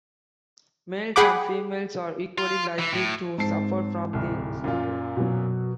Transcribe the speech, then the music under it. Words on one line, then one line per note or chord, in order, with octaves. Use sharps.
Males and females are equally likely to suffer from the syndrome.
G#4 F#5 G5 B5 D6
F4
E3
A2
G#2 C4 A5 C7
D1 C2
F#2 A#2 F4
B2 F#3